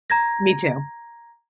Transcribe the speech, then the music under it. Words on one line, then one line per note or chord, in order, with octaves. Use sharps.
Me too.
A#5 G#6 A#6